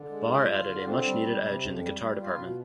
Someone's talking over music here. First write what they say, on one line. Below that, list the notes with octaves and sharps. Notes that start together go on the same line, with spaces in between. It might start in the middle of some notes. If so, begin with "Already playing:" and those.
Barr added a much needed edge in the guitar department.
Already playing: D3
G#3
F4
F4
D3
C4
G3
G3
C3
F2
G3
G3
F4
B2